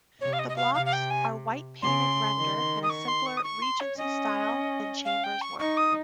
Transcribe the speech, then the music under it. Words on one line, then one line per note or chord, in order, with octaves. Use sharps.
The blocks are white painted render in a simpler Regency style than Chambers' work.
C3 C#5
F5
D#5
D#5
F5
C3 F5
F5
G5
G#5
C#3 C6
D#3
D#6
C#6
C6
C#6
D#6
C#6
C6
C#5
C#4 D#5
F5
G5
C#6
D#4 C#6
D#6